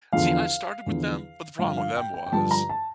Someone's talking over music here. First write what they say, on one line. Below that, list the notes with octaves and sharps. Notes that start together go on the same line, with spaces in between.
See, I started with them, but the problem with them was,
E2 D3 F3 F5
E2 D3 F3
G2 D3 F3 F5
F5
G5
G5
G5
G2 D3 F3 A5
A#5
A5